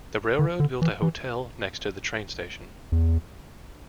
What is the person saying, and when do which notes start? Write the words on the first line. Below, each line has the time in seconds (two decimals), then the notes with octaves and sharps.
The railroad built a hotel next to the train station.
0.39 D3
0.60 D3
0.82 E3
1.02 E3
2.92 E2